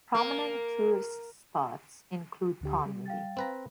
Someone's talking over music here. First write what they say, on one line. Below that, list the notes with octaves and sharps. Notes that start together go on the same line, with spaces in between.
Prominent tourist spots include Ponmudi.
A#3
D2 D3 G4
G3
F5 G5 A6
C4 B4 A#5